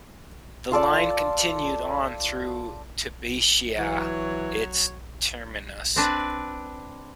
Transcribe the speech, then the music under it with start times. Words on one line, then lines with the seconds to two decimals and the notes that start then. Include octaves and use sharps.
The line continued on through to Bishia its terminus.
0.72 F4 A4 D5 A5
3.78 E3 F#3 C#5
5.96 C4 D4 B4